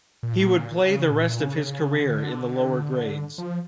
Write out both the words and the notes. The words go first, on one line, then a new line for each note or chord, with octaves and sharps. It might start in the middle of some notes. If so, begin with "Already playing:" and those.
He would play the rest of his career in the lower grades.
A#2
A2
A#2
C#3
A#2
C#3
D3
F3